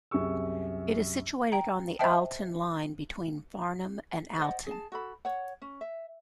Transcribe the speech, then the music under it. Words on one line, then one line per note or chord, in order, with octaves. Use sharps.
It is situated on the Alton Line, between Farnham and Alton.
C2 F#2 G4 G#4 C#6 E6
G5 A#5
C5 D#5 E5 G5 A5
C5 D5 D#5 F#5
G#4 A5
F#4 A4 B5
C#5 F#5
C#4
E5